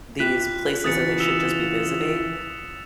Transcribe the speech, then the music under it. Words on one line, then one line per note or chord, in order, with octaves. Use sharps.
these places that they should just be visiting.
E4 F4 G4 F#6 B6
E2 C#3 E3 D#6 A6 C#7
E6 E7 F7